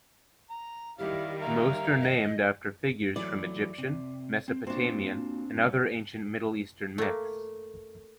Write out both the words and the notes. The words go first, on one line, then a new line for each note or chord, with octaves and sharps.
Most are named after figures from Egyptian, Mesopotamian, and other ancient Middle Eastern myths.
A#5
D#3 G3 E4 G4 F5
A#4 E5 F5 A#5
D#5
E3 F#3 A3 D5
C3
C4
A#3 C4 D4 F4 F#4
G2 C#4
A3 A#3